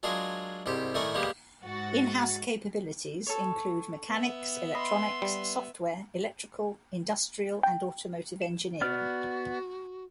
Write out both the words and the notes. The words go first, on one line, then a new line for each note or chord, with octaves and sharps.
In house capabilities include mechanics, electronics, software, electrical, industrial and automotive engineering.
F#3 G#3 D4 F4 G#4 A#4
C2 G#2 C3 G4 G5
A2 D#3 A3 A#4 D5 G#5
G3 G#3 A#3 B3 G4
G#2 F#4 A6
A4 C#5
B3 E5
D#5 B5 C6
G3
G5
E7
B3 F#4 D5 F6